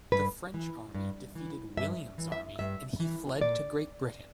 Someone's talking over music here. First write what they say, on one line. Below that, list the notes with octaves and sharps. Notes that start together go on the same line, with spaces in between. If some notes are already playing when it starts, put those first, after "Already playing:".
The French army defeated William's army and he fled to Great Britain.
G2 B4
E3
G2
E3
G2 E5
E3
E5
G2 E5
E3
A#2 D5